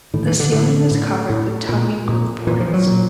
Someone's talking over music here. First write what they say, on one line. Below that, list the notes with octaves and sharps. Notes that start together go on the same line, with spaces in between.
The ceiling is covered with tongue-in-groove boards.
A2 D#3
E3
D3
A2 D3
A2
A2
A#2
A#2
A#2 E3
F3
F#3
A#2